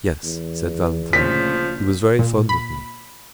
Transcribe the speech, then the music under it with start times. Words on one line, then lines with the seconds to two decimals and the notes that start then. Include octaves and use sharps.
"Yes," said Valentine, "he was very fond of me."
0.24 E2
1.13 D2 A#2 C#3 F3 B6
2.19 A#2
2.49 B5